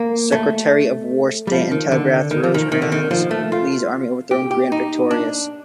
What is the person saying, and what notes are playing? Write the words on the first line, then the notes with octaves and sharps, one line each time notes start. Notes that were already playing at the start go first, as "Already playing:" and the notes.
Secretary Of War Stanton telegraphed Rosecrans, Lee's Army overthrown; Grant victorious.
Already playing: A#3
A3
G3
F3
D#3
D3
D#3
F3
D#3
D#3
D3
D#3
F3
A3
F4
G4
G4
D#4
D4